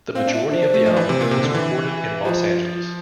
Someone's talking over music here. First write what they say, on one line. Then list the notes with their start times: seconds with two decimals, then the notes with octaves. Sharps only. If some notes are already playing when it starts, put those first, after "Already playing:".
The majority of the album was recorded in Los Angeles.
0.15 C4 F5
0.28 D4
0.33 E5
0.51 D4 C5
0.63 D4
0.74 A3
0.86 F3
0.97 E3
1.09 C3
1.20 A#2 A#4
1.31 C3
1.44 D3
1.55 E3
2.24 F3 F4 G4